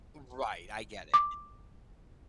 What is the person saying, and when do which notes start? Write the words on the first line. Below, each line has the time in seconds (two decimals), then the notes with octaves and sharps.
Right, I get it.
1.14 D6